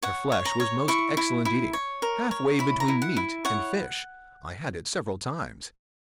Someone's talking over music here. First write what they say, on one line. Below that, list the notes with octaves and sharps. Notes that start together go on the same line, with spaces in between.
Their flesh was most excellent eating--half-way between meat and fish: I had it several times.
C#5 F#5
C#5
A#5
C#5
E4 C#6
E4
E4
C#5
A#4
C#5
E4 B5
A#5
E4
F#5
E4
C#5 F#5